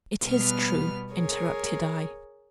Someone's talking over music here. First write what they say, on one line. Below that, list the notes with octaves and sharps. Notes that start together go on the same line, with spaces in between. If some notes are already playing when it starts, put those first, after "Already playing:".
'It is true,' interrupted I.
B2 G3 B3 B4 F6
G#4 A#4 C#5